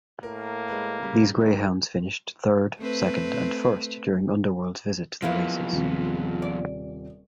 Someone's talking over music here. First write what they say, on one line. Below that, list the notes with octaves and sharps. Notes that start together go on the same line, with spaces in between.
These greyhounds finished third, second, and first during Underworld's visit to the races.
A2 A#3 A#4
G#3 B4
C#3 G3
D#3
A3 C4 B4
F3 F#3 A#3 B3 E4
D#1 C3
D5